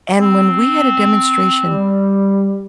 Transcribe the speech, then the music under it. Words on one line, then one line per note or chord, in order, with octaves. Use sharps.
and when we had a demonstration,
C4
G3